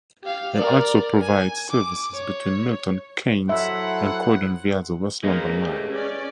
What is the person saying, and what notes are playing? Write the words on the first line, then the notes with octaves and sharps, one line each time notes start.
It also provides services between Milton Keynes and Croydon via the West London Line.
G4 F5
A#4 D5
G#5
D6
C#5
F#3 E4 A4 C5 E5 F#5
A#3 G#4 A#4 B4 D#5
A3 G4
C#4 D5